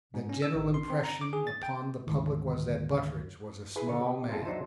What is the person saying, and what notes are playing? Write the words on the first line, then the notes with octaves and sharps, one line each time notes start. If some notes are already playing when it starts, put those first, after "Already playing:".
The general impression upon the public was that Butteridge, was a small man.
G#2
C#4
E6
A1
C6
C4
A#5
D6
G#4
A6
G5
D2 G#2 D#3
E4 G#4 B4
D3 C#5
G4 D#5
A#3 C4 E4 F4 G#4 A4
F#3 D4 D#4 C5 E5